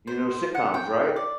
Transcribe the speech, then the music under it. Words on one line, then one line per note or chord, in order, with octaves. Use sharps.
You know, sitcoms, right?
C5
F#5
G5
D5